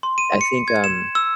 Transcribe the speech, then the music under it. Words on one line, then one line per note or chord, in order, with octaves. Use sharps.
I think, um,
C6
D#7
C#7
G#6
E7
E6